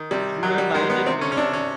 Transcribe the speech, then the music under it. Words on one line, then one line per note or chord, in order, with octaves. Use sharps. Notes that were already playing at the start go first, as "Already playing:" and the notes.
You reminded me.
Already playing: D#3
C3 G3
D#3 F#3
G3
D#3 G#3
B3
C3 C4
C#4
C#4
C3 D4
C#4